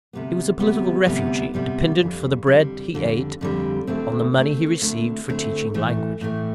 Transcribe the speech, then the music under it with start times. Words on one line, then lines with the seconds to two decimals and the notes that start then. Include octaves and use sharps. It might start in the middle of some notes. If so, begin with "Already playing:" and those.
He was a political refugee, dependent for the bread he ate, on the money he received for teaching languages.
0.13 D2 C3 G3 B3
0.60 D2 C3 G3 B3
1.07 D2 C3 G3 B3
1.54 D2 C3 G3 B3
2.00 F2 D3 G3
2.47 F2 D3 G3
2.94 F2 D3 G3
3.41 F2 D3 G3
3.87 D2 D3 A3 C4
4.34 D2 D3 A3 C4
4.82 D2 D3 A3 C4
5.28 D2 D3 A3 C4
5.74 A2 E3 A3
6.21 A2 E3 A3